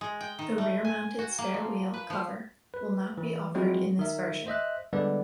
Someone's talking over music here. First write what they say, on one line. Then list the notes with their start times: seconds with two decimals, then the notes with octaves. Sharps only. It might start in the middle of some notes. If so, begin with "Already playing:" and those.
The rear-mounted spare wheel cover will not be offered in this version.
0.01 G#3
0.21 G5
0.39 D#3
0.58 A3
0.85 G#5
1.19 F#4
1.38 A#3
1.54 F3
1.94 B4
2.10 F3
2.74 B4
3.18 E3
3.54 F3 F#3 G#3 C4 E4 F#4
3.99 D#3 E5
4.47 C5 D#5 E5 F#6
4.93 D3 G3 G#3 B3 B4 D5